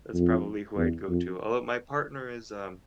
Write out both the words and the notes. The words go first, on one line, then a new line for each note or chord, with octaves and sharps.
that's probably who I'd go to, although my partner is, uh,
F2
E2
F2